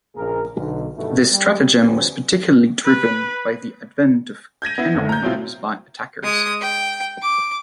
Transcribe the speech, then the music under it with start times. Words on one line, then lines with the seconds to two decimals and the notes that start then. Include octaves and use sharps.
This stratagem was particularly driven by the advent of cannon used by attackers.
0.16 A#1 C#3 A#3 G#4 A#4
0.56 B1 D3
0.95 G2 B2 D#3 E3 A3
1.31 G3
1.83 D2 G2 F3 G3 B3 C#4
2.86 B4
4.62 G6 G#6 A#6 D#7
4.78 B3 E4
4.95 F#1 D3
5.09 A#5 G6
5.22 B2 F#3 C4 E4 F4
6.23 G#3 D#6
6.61 G5
7.22 D6